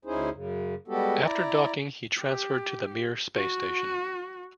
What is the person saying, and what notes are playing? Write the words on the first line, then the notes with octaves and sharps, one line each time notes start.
After docking he transferred to the Mir Space Station.
D2 C#4 D#4 E4 G#4 C5
F#2 C#3
G3 G#3 B3 F#4 G4 A4
E4 D5 A#5
G4
F#4